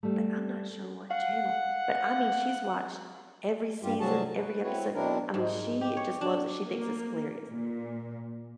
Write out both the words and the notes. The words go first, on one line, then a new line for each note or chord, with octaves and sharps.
but I'm not sure what channel. But I mean, she's watched every season, every episode, I mean, she just loves it, she thinks it's hilarious,
G3 A3
F5 F#5
G2 G3 F4 G4
C3 F#3 G3 F#4 G#4 A5
B4
C4 E4 F#4 B4 C#5
B2 F#3 C4 D4 E4 A#4
G#2
G4
C#5
D4
A#3
A#2